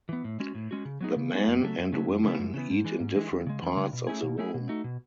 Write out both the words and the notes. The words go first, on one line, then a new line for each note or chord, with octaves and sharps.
The men and women eat in different parts of the room.
E3 B3
A2
G#3 C#4 F#4
A2
G#3 C#4 F#4
C#3
F#3 B3 D#4 G#4
C#3
F#3 B3 D#4 G#4
F#2
C#3 F#3 A3
F#2
C#3 F#3 A3
F#2
C#3 E3 B3
F#2
C#3 E3 B3
G#2
E3 G#3
G#2
E3 G#3
E2
C#3 G#3
E2
C#3 G#3
B2
A3 C#4 E4 G#4
B2
A3 C#4 E4 G#4
B2
A3 D#4 F#4
B2